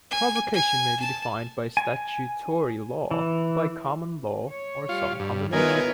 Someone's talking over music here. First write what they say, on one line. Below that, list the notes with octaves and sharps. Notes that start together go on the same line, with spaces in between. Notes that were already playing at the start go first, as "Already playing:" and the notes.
Provocation may be defined by statutory law, by common law, or some combination.
G#5
G#5
A5
G#5
E3
C#5
G3 F4
G2
D#3 B3 E4 F4 A#4 B4 C#5 G#5